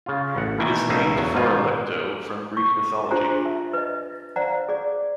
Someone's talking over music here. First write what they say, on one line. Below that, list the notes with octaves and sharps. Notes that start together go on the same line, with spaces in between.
It is named for Alecto from Greek Mythology.
C#3 F4
A1 F#5
B2 D#3 E3
C#2 B2 A3 D#4 E5 F5
E2 F#3
G#2 B2 D#3 F4 G#5
C#6
D4 F4 G4 G#4 C5 A#5
E5
B4 D#5
C5 D5 F5 F#5 A#5
G#4 D5